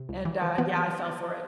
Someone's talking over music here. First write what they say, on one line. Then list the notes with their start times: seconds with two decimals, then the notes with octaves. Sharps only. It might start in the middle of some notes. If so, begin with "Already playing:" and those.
and, uh, yeah, I fell for it,
Already playing: C3
0.09 C#2
0.25 E3
0.42 E3
0.58 E3 B3